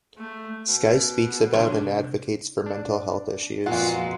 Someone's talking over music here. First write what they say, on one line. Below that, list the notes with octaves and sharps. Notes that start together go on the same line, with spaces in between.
Sky speaks about and advocates for mental health issues.
A3
B2
C3 D#3 D4 C5 C#5
D4
F2 A#2 G#3 B3 F4 F#4 F#5